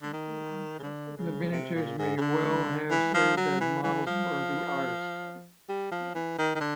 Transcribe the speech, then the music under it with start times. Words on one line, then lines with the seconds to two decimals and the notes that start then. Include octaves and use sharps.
The miniatures may well have served as models for the artist.
0.02 D3
0.13 D#3
0.79 C#3
0.83 D3
1.17 C#3
1.52 C3
1.75 A#2
1.99 G#2
2.17 C#3
2.21 D3
2.90 E3
3.14 F3
3.37 F#3
3.60 E3
3.83 E3
4.07 F3
5.69 G3
5.91 F3
6.15 E3
6.38 D#3
6.55 D#3
6.60 D3